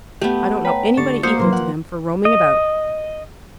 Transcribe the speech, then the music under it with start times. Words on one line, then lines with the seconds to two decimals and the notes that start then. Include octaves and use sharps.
I don't know anybody equal to them for roaming about.
0.21 A3 B3 G4
0.65 B4 C#5 G5 A#5
0.97 D3 G4 C#6 A6 C#7
1.23 A#3 F#4 C5 D#6 G6 C#7
1.38 C3 D#3 F#3 A#4 B4 C6
1.53 F3 F#5
2.25 D#5